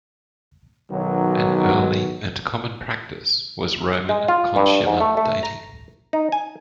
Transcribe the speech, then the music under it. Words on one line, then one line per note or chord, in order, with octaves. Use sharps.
An early and common practice was Roman 'consular' dating.
B1 D#3 F#3
G#3
F4
G2
G#2
A3
A3
A#5
D#4
G#5